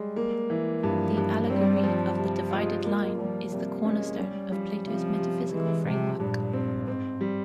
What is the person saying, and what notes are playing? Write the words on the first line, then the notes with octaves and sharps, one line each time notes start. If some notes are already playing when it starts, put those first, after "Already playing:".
The Allegory of the Divided Line is the cornerstone of Plato's metaphysical framework.
Already playing: G3 G#3
A#3
E3
G2 F3
G2
G3 C4
F3
C3
G#3 F4
G#3 A#3
F3 G3
C3 G3
G#3 C#4
G3 C#4
F3 G3
C3 F3
C3
E3 G#3
C3 F3
G2 A#2
C4
G#2 C4
G3